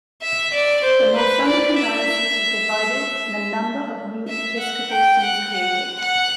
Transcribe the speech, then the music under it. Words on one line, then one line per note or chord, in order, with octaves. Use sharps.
The Northumbrian diocese was divided and a number of new episcopal sees created.
E5
D5
C5
B4
D5
E5
E5
F#5
G5
F#5
F#5
F#5